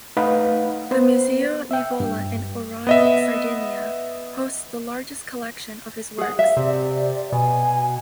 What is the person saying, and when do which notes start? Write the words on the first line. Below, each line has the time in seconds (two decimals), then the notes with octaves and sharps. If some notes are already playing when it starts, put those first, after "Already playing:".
The Museo Nivola in Orani, Sardinia, hosts the largest collection of his works.
0.17 A3 D#4 B4 F5 F#5
0.91 B3 C5
1.71 E5 G5
2.00 G2
2.87 B3 D#5 E5
6.18 G#4 F#5
6.39 E5 F5
6.57 C3 D5
7.32 B2 G#5